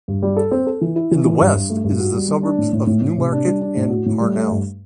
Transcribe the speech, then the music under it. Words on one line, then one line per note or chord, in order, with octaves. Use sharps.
In the west is the suburbs of Newmarket and Parnell.
G2
G3
A4
C4
A4
E3
E4
E3
E3
G2
G2
A3
G2
F#4
G3
G3
D4
A2
A2
A2
A2
C3
D4
G3
D4
A2
F#4
A2
G3
A3
G2